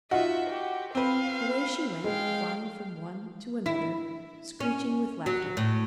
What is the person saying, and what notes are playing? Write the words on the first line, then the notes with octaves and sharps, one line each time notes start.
Away she went, flying from one to another, screeching with laughter.
D#4 F4 F#4 E5
G4
C4 B4 F5
G#3 F5 G5
E4
C#4
F#3
A2